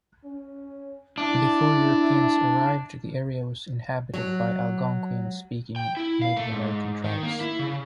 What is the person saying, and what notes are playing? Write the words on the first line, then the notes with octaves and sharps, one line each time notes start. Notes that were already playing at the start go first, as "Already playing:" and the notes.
Before Europeans arrived, the area was inhabited by Algonquian-speaking Native American tribes.
C#4
D4 E4
F#3
G5
E4
F5
A3
G#2
D#3
A#3
E4
C#3